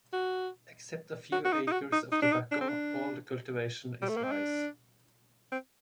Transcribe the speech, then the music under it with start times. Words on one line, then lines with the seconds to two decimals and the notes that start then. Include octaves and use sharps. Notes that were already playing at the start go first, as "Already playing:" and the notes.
Except a few acres of tobacco, all the cultivation is rice.
0.13 F#4
1.32 F#4
1.45 F#4
1.53 D#4
1.67 D#4
1.72 F#4
1.93 D#4
2.12 D#4
2.22 D4
2.32 D#4
2.52 D4
2.61 C4
2.69 D4
4.02 G3
4.09 A3
4.17 A#3
4.24 C4
4.31 D4
5.52 C4